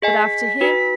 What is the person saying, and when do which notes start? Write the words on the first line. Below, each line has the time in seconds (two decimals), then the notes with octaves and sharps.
But after him?'
0.02 G#4 D#5 G#5 B6
0.61 D#4 F#4 B4